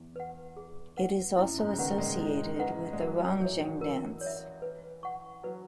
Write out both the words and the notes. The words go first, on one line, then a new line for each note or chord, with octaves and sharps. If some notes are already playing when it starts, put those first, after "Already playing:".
It is also associated with the Ronggeng dance.
Already playing: E2
B4 F#5
G#4
B4 F#5
F#2 E4
G#2
C#3
D#3 B4 F#5 A#5
G#3
E4
B4 F#5 A#5
G#3
F#3 A#4
F#3
E3 C#5 E5
E3
F#3
E3 A#4
C#5
E5
B4
F#5 C#6
F#3 B4